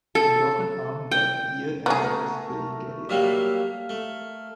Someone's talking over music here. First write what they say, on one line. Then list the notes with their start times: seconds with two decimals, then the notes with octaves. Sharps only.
A broken arm that year ended his playing career.
0.15 A4
1.11 G5
1.86 A3 B3 G#4 A#4
3.09 F#3 G3 A#3 E5 F5
3.89 A3